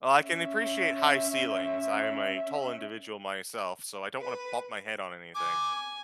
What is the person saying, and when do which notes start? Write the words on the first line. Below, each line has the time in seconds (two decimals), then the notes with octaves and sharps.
Oh, I can appreciate high ceilings, I am a tall individual myself, so I don't wanna bump my head on anything.
0.20 C#4 E5
4.21 B4
5.35 G#5 D6